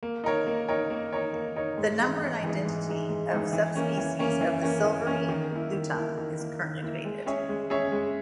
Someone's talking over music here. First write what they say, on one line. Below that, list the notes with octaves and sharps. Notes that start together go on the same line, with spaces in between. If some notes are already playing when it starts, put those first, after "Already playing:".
The number and identity of subspecies of the silvery lutung is currently debated.
A#3
D#4 A#4 C#5
A#3
D#4 A#4 C#5
A#3
D#4 A#4 C#5
A#3
D#4 A#4 C#5
G#2
E3 G#3 D#4
G#2
E3 G#3 D#4
G#2
E3 G#3 D#4
G#2
E3 G#3 D#4
E3
A#3 C#4
E3
A#3 C#4
E3
A#3 C#4
E3
A#3 C#4
D#3
A#3 E4
D#3
A#3 E4
D#3
A#3 E4
D#3
A#3 E4
G#3
C#4 G#4 C#5 E5
G#3
C#4 G#4 C#5 E5
G#3